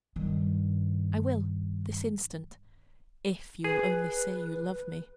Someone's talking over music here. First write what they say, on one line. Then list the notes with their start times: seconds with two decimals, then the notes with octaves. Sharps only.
'I will, this instant,--if you'll only say you love me.'
0.16 G2 D#3
3.64 G#4 B4